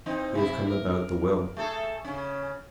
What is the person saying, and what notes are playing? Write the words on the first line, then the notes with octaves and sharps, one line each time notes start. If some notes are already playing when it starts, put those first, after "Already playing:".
"We have come about the will."
E3 C4 D#4
C3 E4
A#4
A3 G#4 A4
C#3 C#4